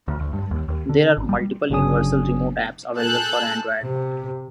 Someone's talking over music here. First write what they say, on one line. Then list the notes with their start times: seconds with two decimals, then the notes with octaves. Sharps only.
There are multiple universal remote apps available for Android.
0.08 D2
0.20 D2
0.33 G2
0.51 D#2
0.68 D#2
0.89 D3
1.17 G#1
1.29 G3
1.70 G1 C#3 F#3 D4 G#5 D#6
2.97 G#4 A4 A5 E6 F#6 G6
3.82 C3